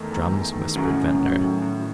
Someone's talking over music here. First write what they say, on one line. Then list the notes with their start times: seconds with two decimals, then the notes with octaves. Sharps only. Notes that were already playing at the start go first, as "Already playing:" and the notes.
"Drums," whispered Ventnor.
Already playing: E2 D#3 A3
0.11 E2
0.32 E2
0.54 D#3
0.75 F#2 A2
0.97 A2
1.19 A2
1.40 A2
1.62 A2